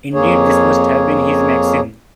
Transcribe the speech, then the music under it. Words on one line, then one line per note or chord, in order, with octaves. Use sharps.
Indeed this must have been his maxim.
F2 A#3 G#4 C#5